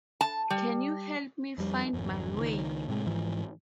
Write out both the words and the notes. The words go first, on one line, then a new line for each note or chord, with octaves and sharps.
Can you help me find my way?
A5
G3
F2 G3
G#1 F2
C#2 D#3
A2 C3 D#3 G#3
G#1 G#2 E3 F3